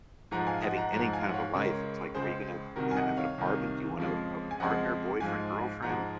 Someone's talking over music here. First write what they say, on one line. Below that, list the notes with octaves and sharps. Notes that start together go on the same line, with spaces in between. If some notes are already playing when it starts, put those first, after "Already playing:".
having any kind of a life, it's, like, are you gonna have have an apartment? Do you want a a partner, boyfriend, girlfriend?
G#2 F3 G#3 F#5 A#5
F5 G#5
D#5 F#5
F#5 A#5
G#2 F3 G#3 F#5 A#5
F5 G#5
F#5
C#5 F5
C#2 C#3 G#3 A#4 C#5
C#2 C#3 G#3 G#4 C5
C2 C3 D#3 F#4 A#4
G#5
D#5 F#5
C#5 F5
C2 C3 D#3
F2 C#3 F3 G#3
G#5
F2 C#3 F3 G#3 D#5 F#5
G#2 F3 G#3 F5 G#5
G#2 F3 G#3 F#5 A#5